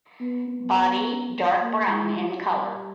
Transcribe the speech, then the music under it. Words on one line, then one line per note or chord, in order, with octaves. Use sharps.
Body dark brown in color.
B3
B3
A#3
G#3
G3